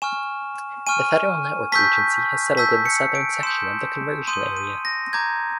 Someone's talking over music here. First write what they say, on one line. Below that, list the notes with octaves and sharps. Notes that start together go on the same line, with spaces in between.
The Federal Network Agency has settled in the southern section of the conversion area.
G#5 C#6 F6 E7
G#5 C#6 F6 D#7
A5 C#6 E6 G6 B6
A5 C#6 E6 G6 B6
C#7
D7
C6 D#6 G6 E7
C6 D#6 G6 D#7
D#7
A#6
A#5 D6 G6 G#6